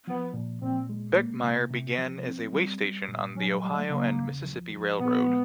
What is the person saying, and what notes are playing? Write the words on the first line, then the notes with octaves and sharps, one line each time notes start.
Beckemeyer began as a way station on the Ohio and Mississippi Railroad.
F3 B3
A#2
A#2 C4
G#3
A#3
C3
C3
F3
C4
G3
G3
A#2
F#3 C#4
A3
F#3 G3
G#3
A3
C#3 A#3
E2
F3
F3
A#2 B3
G#3